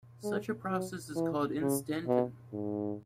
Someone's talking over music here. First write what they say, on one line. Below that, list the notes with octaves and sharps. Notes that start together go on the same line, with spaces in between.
Such a process is called an instanton.
G#3
F#3
E3
C#3
B2
G#2